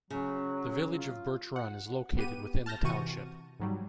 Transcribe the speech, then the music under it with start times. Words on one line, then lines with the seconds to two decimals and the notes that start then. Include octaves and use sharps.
The village of Birch Run is located within the township.
0.10 C#3 F#3
0.98 F4
1.56 F#5
2.17 B3 G4 D#7
2.66 A5 F6 G6 A#6
2.84 C3 E3 F#4 C#6 D#7
3.60 G#2 F#3 G3